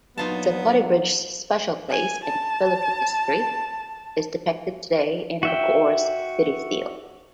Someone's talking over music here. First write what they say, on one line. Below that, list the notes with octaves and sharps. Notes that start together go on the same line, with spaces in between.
Zapote Bridge's special place in Philippine history is depicted today in Bacoor's city seal.
G2 A#2 F#3 B3 D#4 F4 A5
G#5
A5
F#4 E5 G5